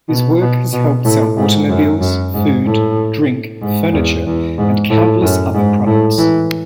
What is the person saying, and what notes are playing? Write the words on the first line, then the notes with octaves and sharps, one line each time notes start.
His work has helped sell automobiles, food, drink, furniture and countless other products.
B2
B2
B2
A2
G#2
F#2
F#2
G#2
A2
G#2
E2
E2
G#2
A2
F#2
G#2
A2
E3